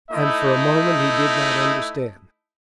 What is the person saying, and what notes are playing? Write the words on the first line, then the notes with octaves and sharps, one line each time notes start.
And for a moment he did not understand.
A3 D#4 E4 D#5